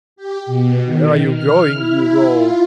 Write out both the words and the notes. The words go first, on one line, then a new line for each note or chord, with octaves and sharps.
"Where are you going, you rogue?"
G4
B2
D#3
F6
E4
F4